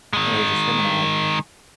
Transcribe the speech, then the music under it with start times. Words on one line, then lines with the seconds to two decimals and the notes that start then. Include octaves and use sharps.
and it was just him and I,
0.13 D#3 G#3